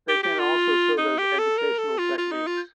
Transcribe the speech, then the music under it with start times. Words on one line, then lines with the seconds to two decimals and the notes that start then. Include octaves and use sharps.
They can also serve as educational techniques.
0.09 G4
0.23 G4
0.39 F4
0.98 D#4
1.18 G4
1.39 A4
1.58 A#4
1.78 A4
1.98 F4
2.18 F4
2.32 D#4
2.47 F4